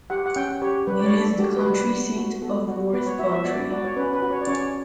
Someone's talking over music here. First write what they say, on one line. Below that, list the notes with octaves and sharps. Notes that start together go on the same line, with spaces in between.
It is the county seat of Worth County.
G4 F#5
F#5
C#4 G5
G4 C#5
G3 B4
D5
C#5
D4
A4
F#4 G4
B4
G3
B4
B3
F#4
B3 A4
F#4
B3 B4
C#5
F#4 E5
E5
B3 D5
F#4 D5
C#5
C#4 B4
B4
F#4
C#5
D5
C#4 C#5